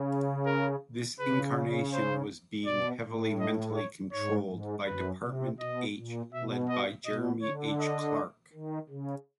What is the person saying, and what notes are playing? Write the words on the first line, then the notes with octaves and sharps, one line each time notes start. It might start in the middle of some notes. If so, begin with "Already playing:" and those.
This incarnation was being heavily mentally controlled by Department H, led by Jermery Clarke.
Already playing: C#3
A#4
C#3 B4
C5
B2 D5
A2
D#5
C#5
G#2 C#5
G#2
F#2 B4
C3
B2 D#5
A#2
B2 E5
D#5
B2 D#5
D3 C#5
D#5
D#3
C#3